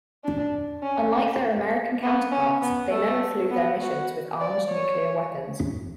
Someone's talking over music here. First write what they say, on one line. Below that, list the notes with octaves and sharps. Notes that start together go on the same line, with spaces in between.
Unlike their American counterparts they never flew their missions with armed nuclear weapons.
D4
C#4
B3
C#4
B3
A3
B3
F#4
D5
C#5